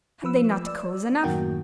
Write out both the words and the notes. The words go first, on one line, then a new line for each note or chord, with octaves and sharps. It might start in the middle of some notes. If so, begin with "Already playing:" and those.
Have they not cause enough?
F3 B4 E6
D5 E6
F#2 A2 D#3 A#3 F#4 G5